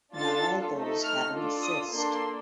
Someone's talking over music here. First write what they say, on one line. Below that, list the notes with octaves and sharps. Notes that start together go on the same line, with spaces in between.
Not all goals have an assist.
D4 F4 A4 A6
A3 D#4 A4
F6
D4 F4 A4
D#6
A#3 D4 A4 C6